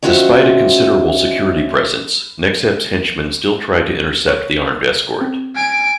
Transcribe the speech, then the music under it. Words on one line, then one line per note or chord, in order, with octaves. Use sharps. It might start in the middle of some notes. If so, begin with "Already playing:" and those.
Despite a considerable security presence, Nexhep's henchmen still try to intercept the armed escort.
D#3 C#4 F4 F#4 C5 E5
C#5
C4
G#5 D7